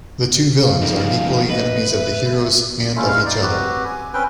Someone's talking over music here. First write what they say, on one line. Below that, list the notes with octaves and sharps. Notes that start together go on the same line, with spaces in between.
The two villains are equally enemies of the heroes and of each other.
F5
F3 D#4
B4 D#5
E5
A3 C#4 E4 F4
G3 G#3 F5
D#4 D5
C4 F#4 G4 B4
G#5
C4 C#4 B4 G5